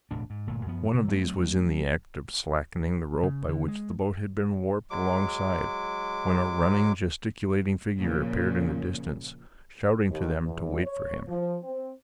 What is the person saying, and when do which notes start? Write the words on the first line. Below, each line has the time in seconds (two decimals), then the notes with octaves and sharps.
One of these was in the act of slackening the rope by which the boat had been warped alongside, when a running, gesticulating figure appeared in the distance, shouting to them to wait for him.
0.11 E1 D2 A2 D4
0.30 G#2
0.47 G1 A#2 A3
0.66 F#2 F3 B3
0.94 C3
1.08 F#3 A3 C4
3.23 C#3
3.49 D3
3.68 G#3
4.90 F#3 G#3 D6
8.00 A#2 C#3 F3
10.10 D#2
10.45 E2
10.84 C#5
11.28 F3
11.64 C4